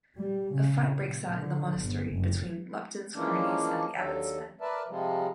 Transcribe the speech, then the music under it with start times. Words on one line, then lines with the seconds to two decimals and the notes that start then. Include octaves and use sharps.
A fight breaks out in the monastery between Lupton's cronies and the Abbot's men.
0.17 G3
0.56 C#3
0.97 A#2
1.34 D3
1.78 G1
2.12 F#1
3.12 E3 F3 G#3 A#3 C#4 D4
3.93 D#2 D3 F#3 A4
4.61 A#4 B4 D5 E5 A5
4.88 C3 F3 G3 G#3